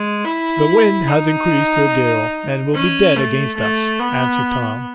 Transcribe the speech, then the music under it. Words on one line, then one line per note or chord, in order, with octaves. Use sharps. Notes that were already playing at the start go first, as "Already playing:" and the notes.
"The wind has increased to a gale, and will be dead against us," answered Tom.
Already playing: G#3
E4
D#4
C#4
A3
A3
B3